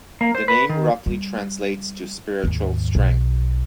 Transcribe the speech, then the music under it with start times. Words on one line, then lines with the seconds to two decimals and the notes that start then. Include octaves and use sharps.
The name roughly translates to "spiritual strength".
0.21 A#3
0.35 C5
0.48 B4
0.69 D#3
1.06 G3
2.44 D#2 G#2
2.95 B1